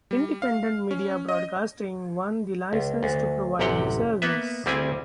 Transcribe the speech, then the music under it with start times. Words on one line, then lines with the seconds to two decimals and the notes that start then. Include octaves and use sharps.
Independent Media Broadcasting won the licence to provide the service.
0.11 G3
0.42 F5
0.91 C#4
1.29 D#5
2.73 C#2
3.03 D2
3.59 A1 F#2 C3 G4 F#5 G5
4.22 A#3 B3 B4 E5
4.66 D2 G3 C4 E4 G#4 G#5